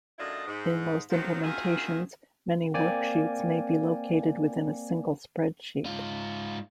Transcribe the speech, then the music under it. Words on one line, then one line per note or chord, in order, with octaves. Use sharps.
In most implementations, many worksheets may be located within a single spreadsheet.
F#2 A3 D4 E4 F4 D#5
G#2
D#3 F3 F#3
B2 D#3 E4 F4 G#4 A#4
A#3 C4 D5 G5 G#5
G#2 F4